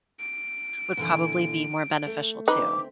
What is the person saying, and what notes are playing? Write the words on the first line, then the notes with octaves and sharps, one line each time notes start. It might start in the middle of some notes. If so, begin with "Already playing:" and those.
would probably be more beneficial too.
D7
A#2 D3 E3
A3
D2 C4 D#4 B4 E5 D6